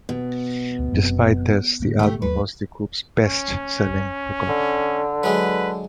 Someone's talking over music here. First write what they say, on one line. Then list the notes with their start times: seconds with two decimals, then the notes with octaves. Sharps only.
Despite this, the album was the group's best-selling record.
0.09 B2
0.79 D2
0.93 F#1 F#2 C4
1.82 A2 D3 A#3
1.99 A3 G4
2.22 D#2 F#3 B4
3.26 C#4
4.49 D3
5.23 F#3 G#3 B4